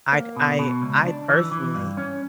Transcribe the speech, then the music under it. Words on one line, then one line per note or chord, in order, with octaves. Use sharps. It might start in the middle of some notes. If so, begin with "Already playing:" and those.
I ca I I personally,
A#3
B2
B2
C#2
D4
E3
E3
G2
C#4